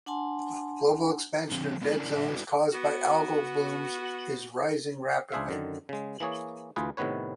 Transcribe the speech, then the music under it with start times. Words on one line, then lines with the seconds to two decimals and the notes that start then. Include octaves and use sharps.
Global expansion of dead zones caused by algal blooms is rising rapidly.
0.06 D4 F#5 G#5 A5 C6
1.51 D3 F3 C4
1.81 G#3 B3 D4 D#4 F4 G#4
1.97 C#4 D4 E4 A#4
2.15 A#2 D5 E5
2.28 A3 D4 E4 F#4 B4 G5
2.72 B3 F#4
5.32 C#2 D4 G#4 C5 E5 F5
5.49 F#2 D3 D#3
5.89 C#3 G#3
6.20 E3 A#3 G#4 C#5
6.76 D2 E3 F4 G#4 B4
6.97 A2 C3 D#3 B3 B4 C#5